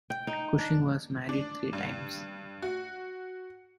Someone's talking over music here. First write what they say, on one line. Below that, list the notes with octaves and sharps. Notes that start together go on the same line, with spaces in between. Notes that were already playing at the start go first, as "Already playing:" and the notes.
Cushing was married three times.
G5
D#4
D4
D4
G2
F#4